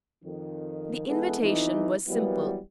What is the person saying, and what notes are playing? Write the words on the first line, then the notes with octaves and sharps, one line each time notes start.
The invitation was simple.
F2 D#3
E3 G#3 B3 G#4 A4 B4
B1 F2 E3 D#4
E3 F#3 G3 A#3 B3